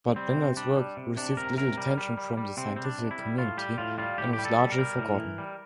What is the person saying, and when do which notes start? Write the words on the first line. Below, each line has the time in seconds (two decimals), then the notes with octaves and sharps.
But Mendel's work received little attention from the scientific community and was largely forgotten.
0.16 G3 C4
0.36 C3
0.57 G3 D4
0.77 G3
0.97 C3
1.17 C3 D4
1.37 C3 A#4
1.57 C3 A#4
1.77 G3
1.98 G3
2.17 G3
2.37 G3
2.57 C3 C4
2.76 G3 C4
2.84 D4
2.98 C3
3.11 E4
3.19 G3
3.37 A2 F4
3.57 G3 G4
3.78 A2 F4
3.98 G3 F4
4.18 A2 G4
4.33 G4
4.38 G3
4.45 A4
4.58 G3
4.72 A#4
4.78 G3
4.99 A2
5.19 E3
5.38 G3